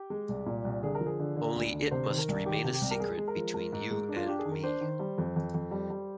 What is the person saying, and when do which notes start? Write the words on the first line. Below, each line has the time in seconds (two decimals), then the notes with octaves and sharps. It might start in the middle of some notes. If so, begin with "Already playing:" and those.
Only it must remain a secret between you and me.
Already playing: G4
0.10 G#3
0.29 C2
0.46 A#2
0.64 C2
0.83 D3 G#4
0.95 A#4
1.01 F3
1.06 G#4
1.20 D3
1.37 D3
1.56 D2
1.73 D3
1.91 C3 C5
2.10 D#3
2.18 A#4
2.28 C2
2.45 D#3 G4
2.64 C3
2.74 G4
2.81 C2
2.91 A#4
3.00 G#3 G#4
3.18 G#3
3.28 A#4
3.36 F3
3.54 G#3 A#4
3.73 G#2
3.91 G#3
4.09 D4
4.16 F4
4.26 D4 G4
4.39 G#4
4.45 D#3
4.51 A#4
4.63 D4 C5
4.81 D#3
4.99 G3
5.18 F2
5.36 F2
5.54 F2
5.71 G3
5.90 G3